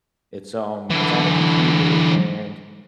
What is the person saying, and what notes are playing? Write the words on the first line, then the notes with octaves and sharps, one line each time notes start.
It's, um, it's on the computer, and
D3 E3